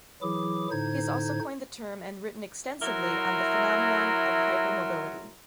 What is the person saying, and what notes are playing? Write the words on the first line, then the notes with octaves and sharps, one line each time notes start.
He has also coined the term and written extensively on the phenomenon of hypermobility.
E3 F#3 E4 G#4 D6
A2 D3 D#4 C5 G#6
F#3 E4 A#4 E5 C6